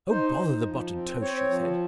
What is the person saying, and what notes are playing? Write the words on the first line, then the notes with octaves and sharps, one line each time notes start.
"Oh, bother the buttered toast," she said.
D#4 C5
D#4
F3
C4
C4 C#5
F3